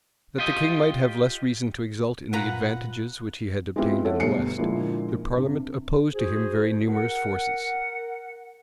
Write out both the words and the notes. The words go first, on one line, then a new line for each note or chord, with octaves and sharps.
That the king might have less reason to exult in the advantages which he had obtained in the west, the parliament opposed to him very numerous forces.
F4 G4 D#5
A#2 B4 F#5 A#5
G#3 B3 C4 E4 F4 G4
A4 C#5 E5 F#5
G1 B2 G3 A3 C7 C#7
A#2 D3 F3 G#3 A#3 E4
G2 C3
F#4 G#4 C5
A#4 F#5